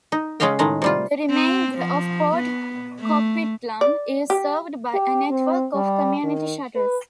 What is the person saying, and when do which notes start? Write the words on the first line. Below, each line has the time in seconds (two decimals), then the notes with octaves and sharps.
The remainder of Port Coquitlam is served by a network of Community Shuttles.
0.12 D#4
0.40 C#3 G#3 C#4 D#5 F5 G5
0.59 A2 D#3 G#3 A#5
0.82 C3 G3 F4
1.30 C4
1.78 F3
2.35 B3
3.01 A3
3.81 D5
4.30 G4
4.94 G4
5.30 C4
5.75 G3
6.23 D#3
6.76 B4